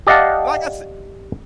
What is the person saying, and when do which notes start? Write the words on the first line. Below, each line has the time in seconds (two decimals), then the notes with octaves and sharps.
like I s
0.07 G4 D5 D#5 F5 F#5 A5